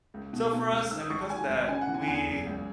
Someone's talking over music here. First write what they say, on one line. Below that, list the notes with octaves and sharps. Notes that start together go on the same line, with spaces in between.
So for us, and because of that, we
C#2
B2
B2
C#2
D#3 E6
D#6
G#1 C#6
A5
G#2 G#5
G#1
C#3 G#5
F#5
E3
G#5
F#5
E2 G#5
F#1
C#2